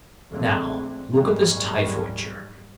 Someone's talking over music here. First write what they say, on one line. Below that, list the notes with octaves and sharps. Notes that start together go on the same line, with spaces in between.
Now look at this typhoid germ.
A#1 F2 D3 G#3 A3 C4
G#1 F#2 A#2 G3 G#3 C#4